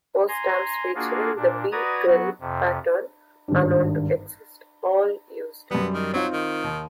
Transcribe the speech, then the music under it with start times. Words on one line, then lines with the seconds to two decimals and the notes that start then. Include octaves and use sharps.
Four stamps featuring the "B grill" pattern are known to exist, all used.
0.28 G#5 A#5 C6
0.95 A#3 D4 F4 F#4 G#4
1.36 A#2 D4
1.72 F#4 B4 D5 A#5 D#6 G#6
2.06 F#3 B3 F#4
2.40 F2 C3
3.48 G#1 G2
5.71 F#2 G3 B3
5.93 D#3
6.13 F#3 C4 D#4 F4
6.33 D#3
6.64 D#2